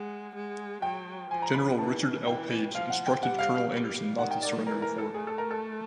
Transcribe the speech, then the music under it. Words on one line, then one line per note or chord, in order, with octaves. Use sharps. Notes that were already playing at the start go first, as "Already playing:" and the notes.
General Richard L. Page instructed Colonel Anderson not to surrender the fort.
Already playing: G#3 F#5
G#3
F#3 G5
F3 G#5
A#5
B5
E3 A5
E3 G5
F3 F5
F#5
G5
G3 F#5
F5
F5
G3
D#3 F#5
G5
D5
E3 A#4
A#4
A4
A3 G#4
A4
A#4
A4